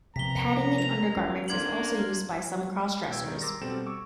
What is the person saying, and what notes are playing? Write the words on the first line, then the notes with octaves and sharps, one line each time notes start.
Padding in undergarments is also used by some crossdressers.
C3 F3 A#3 B3 A#5 B6 G7
F7
C#4
A#3 D4 C6 G#6 F#7
B2 G5 E6 G#6
D#3 G3 D#4 G#4
A#5 C6 D6 E6 A6 A#6
B2 G3 C4 A4 E7
C#6 D6 E6